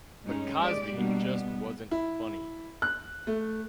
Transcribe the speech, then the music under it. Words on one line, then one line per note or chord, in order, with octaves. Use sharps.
But Cosby just wasn't funny.
G2 G#3 C#4 D#4
G#3 G4 D5
B2 G3 A#3 D4
B3
E4
F#6
A3